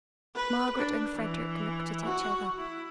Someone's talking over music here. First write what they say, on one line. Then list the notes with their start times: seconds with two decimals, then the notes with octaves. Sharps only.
Margaret and Frederick looked at each other.
0.35 B4
0.78 D4
1.14 E3
2.05 F#4
2.58 E4